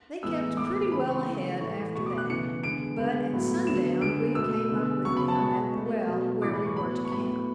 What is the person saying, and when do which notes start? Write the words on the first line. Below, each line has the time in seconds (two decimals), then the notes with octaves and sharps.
They kept pretty well ahead after that, but at sundown we came up with them at the well where we were to camp.
0.23 A2 E3 G#3 B3 E6
0.57 A2 G#3 B3 D6
0.92 C#3 E3 G#3 B5
1.09 C#6
1.26 C#3 E3 A3
1.60 A2 E3 A3 C#6
1.95 B2 A3 C#6
2.06 D6
2.18 F#6
2.29 C#3 E3 B3 C#7
2.63 D3 G#3 B3 D7
2.98 D3 G#3 B3
3.32 A2 F#3 B3
3.66 D3 F#3 B3 E7
4.01 D3 G#3 B3 D7
4.35 B2 A3 E6
4.70 D3 G#3 B3
5.05 C#3 F#3 B3 C#6
5.17 B5
5.28 A5
5.39 B2 G#3 B3 C#6
5.74 B2 A3
6.09 B2 F#3 B3
6.42 A2 E3 G#3 D6
6.53 B5
6.66 C#6
6.77 A2 F#3 B3 B5
7.05 C#6
7.11 A2 F#3 B3 B5